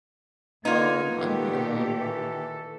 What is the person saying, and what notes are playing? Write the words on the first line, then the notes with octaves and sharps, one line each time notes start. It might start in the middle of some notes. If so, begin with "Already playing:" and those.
Um, I don't think I have.
A#3 B3 D#4 F4 G#6
A#2 D#3 G4 A4
E3